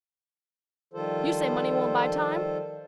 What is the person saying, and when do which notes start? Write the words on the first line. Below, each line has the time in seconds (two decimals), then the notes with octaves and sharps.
You say money won't buy time?
0.94 D#3 F3 G3 F4 A4 C5